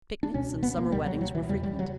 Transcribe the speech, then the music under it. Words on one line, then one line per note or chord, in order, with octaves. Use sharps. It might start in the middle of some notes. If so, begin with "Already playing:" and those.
Picnics and summer weddings were frequent.
D4
C#2 B2 C#4
B3
A#3
C#2 B2 G3
F#3
F#3
E3
E2 C#3 G3
G3
F#3